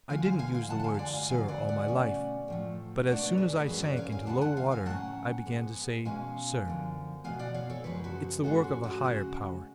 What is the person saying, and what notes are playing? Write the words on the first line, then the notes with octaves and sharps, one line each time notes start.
I didn't use the word 'sir' all my life, but as soon as I sank into low water I began to say 'sir.' It's the work of a higher power.
D2 D3 F3 F5 G#5
F5 G#5
F5 G#5
F5 G#5
F2 D3 G#3 F#5 A5
A5
F5 G#5
F5
D5 F#5
F5 G#5
D2 C#3 F#3 F5 G#5
D5 F#5
D5 F#5
B2 A3 C#4
A2 F3 A3
B2 A3 D4 D5 F#5
B4 D5
G#4 B4
G#4 B4
F#2 C#3 F#3 C#4 G#4 B4
B4 D5
C#5 F5
F5 G#5
D2 C#3 G#3 B3 F#5 A5
F#5 A5
F5 G#5
F5 G#5
A2 F#3 C#4 F#5 A5
G#2 G#3 B3
B2 G#3 C#4 F5 G#5
F#2 D3 F3
B2 F#3 B3 F5 G#5
D5 F#5
C#5 F5
A4 C#5
F#2 C#3 F3 G#3 G#4 B4
F#4 A4
G#2 G#3 C#4 F#4 A4
F#4
F#4
C#3 G#3 C#4